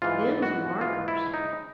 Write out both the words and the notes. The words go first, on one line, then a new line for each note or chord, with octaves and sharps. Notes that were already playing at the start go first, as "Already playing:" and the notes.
Them's markers.
G#2 E3 F4
F#4
G#2 E3 F4
E4
D#4